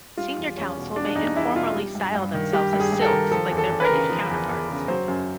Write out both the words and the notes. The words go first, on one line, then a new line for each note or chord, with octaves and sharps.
Senior Counsel may informally style themselves as "silks", like their British counterparts.
G3 F4
E2
E2 C#4
B2
G3 D4
D4
E2 D#4
E2 E4
B2 F4
G3
G2
G2
D#3
G3 G4
G2
G#4
G2
A4
A#4
D#3
F3 A4
E2
A4
E2
B4
A#4
C#3
F3
E2
E2
C#3
F#3 C5
F#2